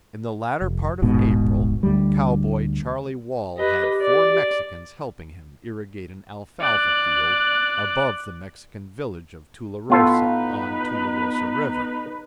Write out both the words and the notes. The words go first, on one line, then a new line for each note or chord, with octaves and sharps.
In the latter part of April, Cowboy Charlie Wall had four Mexicans helping him irrigate an alfalfa field, above the Mexican village of Tularosa, on Tularosa river.
F1
D#1 G#1 G#2 B2
D2 G3
G4 B4 D#5
D5
D5 F#6
A2 B3 D#4 F4 A4 B4